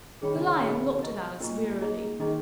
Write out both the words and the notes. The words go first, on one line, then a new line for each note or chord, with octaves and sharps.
The Lion looked at Alice wearily.
D#3 G#4 C#5 G5 B5
C#3
C#3
B2 G#4 C#5 G5 B5
A#4 D#5 A#5 C#6
A#2 A#4 D#5 A#5 C#6
D#4 G#4 D#5 A#5
D#3 D#4 G#4 D#5 A#5